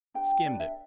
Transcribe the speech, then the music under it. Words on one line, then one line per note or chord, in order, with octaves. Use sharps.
Skimmed it.'
D4 G4 B4 G5
D4 G4 B4 D5
E5